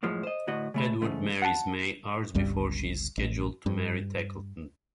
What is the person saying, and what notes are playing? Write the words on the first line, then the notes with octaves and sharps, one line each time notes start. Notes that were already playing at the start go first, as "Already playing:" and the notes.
Edward marries May hours before she is scheduled to marry Tackleton.
F#2 A2 F3 G#3
C5 D#5
D2 A2 F#4 D#5
C#3 A3 B5
E2 G#2 C#3 A3
F#5 A5
G1 C#2 G2 G3
A1
G2